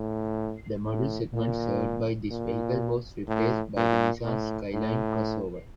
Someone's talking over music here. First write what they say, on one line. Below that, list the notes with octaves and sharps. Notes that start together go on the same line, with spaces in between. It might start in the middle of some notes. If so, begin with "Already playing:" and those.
The model segment served by this vehicle was replaced by the Nissan Skyline Crossover.
Already playing: A2
A2
A#2
A#2
A2
A#2
A2
A2